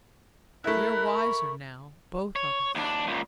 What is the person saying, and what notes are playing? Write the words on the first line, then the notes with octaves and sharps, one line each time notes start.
We are wiser now both of us.
A3 E4 A#4 B5 F#6
C#6
C#5
D#2 D4
C#2 A#2